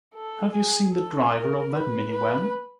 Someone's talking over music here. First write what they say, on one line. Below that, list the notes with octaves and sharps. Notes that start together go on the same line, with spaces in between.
Have you seen the driver of that min-van?
A4
G#4
A4
A#4
B4
B4